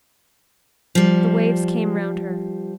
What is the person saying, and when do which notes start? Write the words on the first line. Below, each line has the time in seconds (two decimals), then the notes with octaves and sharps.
The waves came round her.
0.95 F3 G3